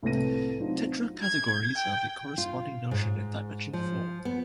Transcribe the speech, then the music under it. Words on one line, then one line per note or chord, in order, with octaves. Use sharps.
Tetracategories are the corresponding notion in dimension four.
C2 A2 A3 B4 A#6 D#7
F#3 C4 D4 D#4 F4 F#4
G#6
G5
F4
G#2
F3
B3